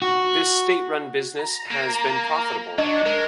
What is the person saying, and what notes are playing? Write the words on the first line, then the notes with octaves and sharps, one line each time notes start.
This state-run business has been profitable.
F#4
A#5
A#3
F#3 D4 D#5
G#3 A#4